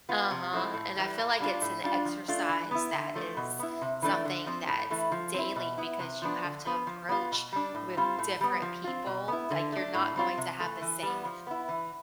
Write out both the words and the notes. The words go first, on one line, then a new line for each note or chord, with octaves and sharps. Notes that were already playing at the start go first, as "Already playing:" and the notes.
Uh-huh, and I feel like it's an exercise that is something that's daily, because you have to approach with different people. Like you're not going to have the same
B3 F4
C3
F3 A3 C4 E4
A2
E3 G3
A2
G3 D4 F4
A2
G3 D4 F4
F3
A3 D4 F4
E3
B3 E4
D3
F3 A3
B2
B3 E4
C3
E3 A3 D4
D3
F3 C4
A2
E3 A3 E4
F3
C4 E4
B2
B3 E4
C3
F3 B3 D4
D3
F3 B3
F3
B3 F4
B2
G3 D4
A2
G3 C4 F4
A2
G3 B3
F3
C4 F4
B2
B3 E4
D3
A3 D4
A2
G3 C4 F4
C3
E3 A3
E3
G3 B3
F3
B3 E4
E3